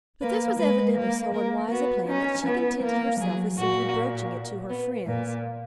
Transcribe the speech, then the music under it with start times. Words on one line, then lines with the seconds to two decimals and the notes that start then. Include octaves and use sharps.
But this was evidently so unwise a plan, that she contented herself with simply broaching it to her friends.
0.21 A#3 B4
0.59 G#3 B4
0.97 A#3
1.34 A#3 A#4
1.71 B3 F#4
2.08 C#4 D#4
2.46 B3 E4
2.83 A#3 A#4
3.20 F#3 G#4
3.57 A#2 F#4
4.70 B3
5.07 A#2